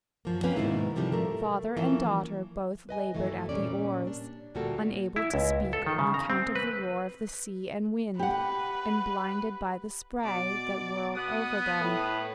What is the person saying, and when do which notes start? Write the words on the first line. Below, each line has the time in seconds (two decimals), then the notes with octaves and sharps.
Father and daughter both labored at the oars, unable to speak on account of the roar of the sea and wind, and blinded by the spray that whirled over them.
0.25 F#2 F3 A#3
0.43 A#3 C4 C#4 B4 F5
0.56 G#2 B2 D#3 G#3 E4
0.96 A2 C3 D#3 F3 G3
1.12 A3 A#4
1.77 E3 F3 A#3 C#4
2.89 B4 D#5 G#5
3.14 G2 E3 F#3 A3
3.49 A#2 G3 C#4 D5
4.07 D4
4.55 D2 A#2 G3 A#3 F#4 A4
5.16 E4
5.34 C#2
5.73 A4
5.86 D#3
5.99 C#3
6.14 A#5
6.30 C4
6.55 B4
8.19 G4 B4 F#5
10.24 B2 D5
11.16 B3 F#5 D#6
11.81 A2 B4